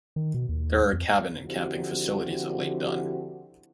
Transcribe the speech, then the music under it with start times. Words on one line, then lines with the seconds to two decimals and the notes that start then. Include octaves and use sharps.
There are cabin and camping facilities at Lake Dunn.
0.16 D#3
0.34 B2
0.49 D#2
0.93 F2
1.46 D3 F3 C4 E4 F#4 G4